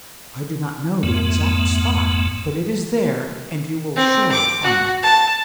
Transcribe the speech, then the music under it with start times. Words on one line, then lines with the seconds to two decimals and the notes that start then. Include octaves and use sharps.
I do not know the exact spot, but it is there, and you will surely find it.
1.03 F2 G#2 A3 B3
3.96 C4
4.32 D6
4.63 F#4
5.02 A5